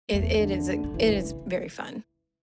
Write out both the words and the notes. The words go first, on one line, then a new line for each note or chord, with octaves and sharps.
i it it is it is very fun.
E2 A3
D3
G2
F#2 E3
C#3